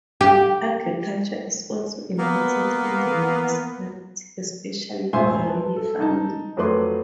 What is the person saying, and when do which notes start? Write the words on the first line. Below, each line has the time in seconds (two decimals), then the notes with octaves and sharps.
Agriculture is also important in the municipality, especially dairy farming.
0.21 G4
2.19 A#3 B3
5.13 E1 A1 C5 E5 G#5 C6
5.47 B4 A5
5.76 A4
6.00 D#4 A5
6.57 F2 F#3 A3 B4 C6 D6